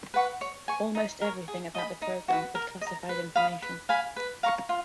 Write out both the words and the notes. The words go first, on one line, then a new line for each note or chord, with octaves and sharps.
Almost everything about the program is classified information.
B4 F#5 C#6
C#5
G#5 C#6
D#4
A#4 C#5
G#4
D#5 G#5 B5
D#4
F#4 B4
A#4
D#5
A#5
B4
F5 B5 D#6
B4
F5 G#5 B5
B4
F5 A#5 C#6
F4